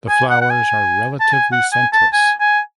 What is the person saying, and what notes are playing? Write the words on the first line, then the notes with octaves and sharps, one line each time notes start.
The flowers are relatively scentless.
G#5
F#5
F#5
G#5
A5
G#5
F#5
G#5
A5
G#5
G#5